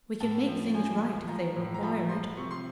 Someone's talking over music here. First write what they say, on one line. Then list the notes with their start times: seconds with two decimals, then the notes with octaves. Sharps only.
We can make things right if they require it.
0.20 A2 A5
0.47 F3
0.74 F3 G#5
1.02 F3
1.28 F3 A#5
1.56 A2
1.74 A#5
1.82 F3 B5
2.09 F3 C6
2.37 C3 C#6
2.51 C6